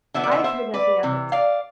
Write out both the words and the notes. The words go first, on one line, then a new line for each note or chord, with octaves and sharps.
"I've heard nothing of it."
D3 F3 B3 E5
D5
C5 E5
C5 E5
B4 D5
C3 E3
D5 F5